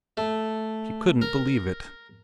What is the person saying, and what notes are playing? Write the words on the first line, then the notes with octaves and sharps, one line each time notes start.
She couldn't believe it.
A3
A#4